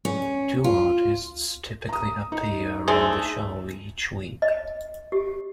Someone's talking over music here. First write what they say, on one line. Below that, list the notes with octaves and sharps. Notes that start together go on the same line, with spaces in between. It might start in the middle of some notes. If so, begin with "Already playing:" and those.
Two artists typically appear on the show each week.
C#4
F4
A#5 D#6
D#4
D3 A3 C4 G#4
D#5
G4